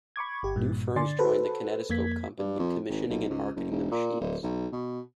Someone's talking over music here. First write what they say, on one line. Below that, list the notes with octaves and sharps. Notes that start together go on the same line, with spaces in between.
New firms joined the Kinetoscope Company in commissioning and marketing the machines.
B5 C#6 D6 G#6
G1 G4
G2 A#2
D3 D5 G#5 C6 A6
F#4 G#4 A4 B4 C5
F2 A#3 G#6 B6
G2
F2
G#1
B1
C#2
F#1
E1
A#2
D1
B1
B2